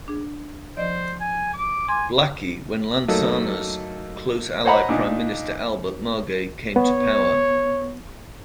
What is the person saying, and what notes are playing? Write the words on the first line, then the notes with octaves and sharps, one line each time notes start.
Blackie when Lansana's close ally Prime Minister Albert Margai came to power.
D4 G#4
F3 C5 D5 D#5
G#5
D6
G#5 C6 D6
F#3 A3 A#3 D#4
C5 C#5 D#5 F#5 A#5 B5
A#2 D4 D#4
B3 C#5